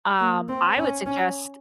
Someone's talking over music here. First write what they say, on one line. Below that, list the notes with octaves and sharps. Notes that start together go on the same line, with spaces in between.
um, I would suggest,
A#3
C4
C#4
C#4